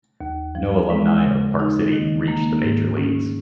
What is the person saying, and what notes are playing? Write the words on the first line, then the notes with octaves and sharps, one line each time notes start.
No alumni of Park City reached the major leagues.
D#2
F3
G#3
C#3
D#4
D#3
A#3
G#2
C#4